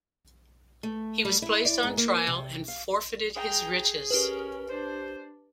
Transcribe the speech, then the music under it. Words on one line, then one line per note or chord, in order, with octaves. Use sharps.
He was placed on trial and forfeited his riches.
A3
G3
E4
D5
G#2
A#3
C3
F5
G#4 G5 A#5
C#4 G4 A#4 B4
D4 C5